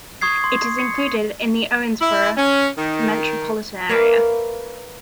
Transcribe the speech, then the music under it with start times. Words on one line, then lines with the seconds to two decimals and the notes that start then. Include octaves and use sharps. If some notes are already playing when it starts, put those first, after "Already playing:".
It is included in the Owensboro metropolitan area.
0.21 C#6 D#6 G#6 C7
0.44 C6
0.79 C#7
2.00 E4
2.36 C#4
2.77 D#3
3.89 A#3 B4 C#5 D5 E5 F5